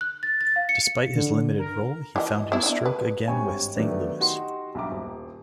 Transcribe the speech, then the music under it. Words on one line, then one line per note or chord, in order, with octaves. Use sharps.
Despite his limited role, he found his stroke again with Saint Louis.
F#6
A6
A6
F5
C#7
D3
A#4
E3 F#4 D#5
B3 E4
D4 E4
B4
G#1 G2 C#5 G5 G#5
D#3 F#3 A3 B3 D4
D#4 F#4 G4 C6
B1 G2 G4 E5 A#5 D6
D#1